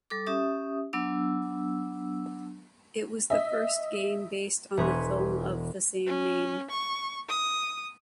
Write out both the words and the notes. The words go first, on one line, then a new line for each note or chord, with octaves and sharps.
It was the first game based on the film of the same name.
G3 A4 D6
C#4 G4 E5 D#6
F#3 B3 D4 E6
D#5 E5
E1 B3 G#4 C5 C#6 B6
C#4
C#6
D#6